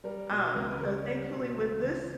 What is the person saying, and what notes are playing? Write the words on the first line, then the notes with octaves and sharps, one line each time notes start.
Um, so thankfully, with this,
G3 A#4
B2
C#2 A#4
B4
C#2 A#4 C#5
G3
B2
C#2
C#2